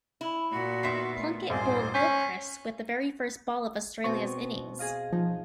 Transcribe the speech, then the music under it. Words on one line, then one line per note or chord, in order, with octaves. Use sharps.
Plunkett bowled Gilchrist with the very first ball of Australia's innings.
E4
A#2 F#4
D#3 B3 E5 C6 B6 C7
A3
D#1 G#1 C5 G#5
C#4 G6 B6 C7
B2 C4 C#6
G#4 D#5 F5
F3 D#4